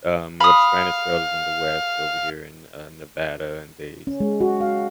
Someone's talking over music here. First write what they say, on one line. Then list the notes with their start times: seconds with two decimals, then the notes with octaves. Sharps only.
Um, what Spanish Trail is in the West over here in, uh, Nevada and these
0.40 F5 B5 D#6
4.07 C#4
4.20 G#3
4.41 F#4
4.61 F5